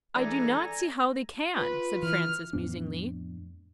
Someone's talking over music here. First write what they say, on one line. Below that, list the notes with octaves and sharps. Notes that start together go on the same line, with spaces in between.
"I do not see how they can," said Francis musingly.
E3 G#3 D4 A4 D5 G#5 A#5 A#6
F4 B4
E3 F6
F2 A2 B3 D4